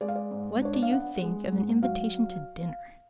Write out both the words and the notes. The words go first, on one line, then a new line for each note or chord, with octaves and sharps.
What do you think of an invitation to dinner?
G#3 D5
F5
D5
G#2
D4 C#5
D5
F5
B3 F#5
G#3
G#2
F#3 F5